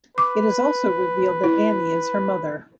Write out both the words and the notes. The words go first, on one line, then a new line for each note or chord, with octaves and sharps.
It is also revealed that Annie is her mother.
B4 D6
E4